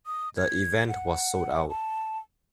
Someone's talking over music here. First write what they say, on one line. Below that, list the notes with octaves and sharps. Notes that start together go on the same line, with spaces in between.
The event was sold out.
D#6
G#6
F#5
A5